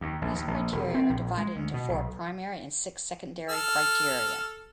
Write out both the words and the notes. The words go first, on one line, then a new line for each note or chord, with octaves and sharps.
These criteria are divided into four primary and six secondary criteria.
D#2
A#1
D#2
A#1
E1
C4
A#1
G#3
D2
B2
B1
A4 F6